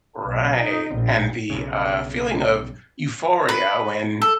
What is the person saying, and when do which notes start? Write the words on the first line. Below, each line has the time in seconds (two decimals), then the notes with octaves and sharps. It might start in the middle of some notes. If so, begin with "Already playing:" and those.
Right, and the, uh, feeling of euphoria when
0.24 B1
0.57 D#4
0.96 A#1
1.50 B1 G2 C#3
3.49 B4
4.22 A4